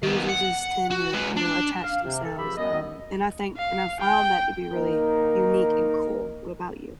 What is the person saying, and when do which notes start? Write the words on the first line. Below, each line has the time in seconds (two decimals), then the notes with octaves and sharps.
They usually just tend to, you know, attach themselves, um, and I think and I found that to be really unique and cool. What about you?
0.03 D#3 B3
0.28 F#5
0.90 F#4
1.14 G#3 B4
1.36 D4
1.83 F5
2.04 C3
2.25 A4
2.38 C#2 F3 G4 E5 B5
2.57 F#2 G3 B3 D#5
3.57 F5
4.00 G5
4.73 D#3 A#3 D#4 A#4